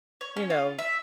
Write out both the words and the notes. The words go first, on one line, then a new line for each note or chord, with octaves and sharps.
you know?
C#5
C#4
F4
E5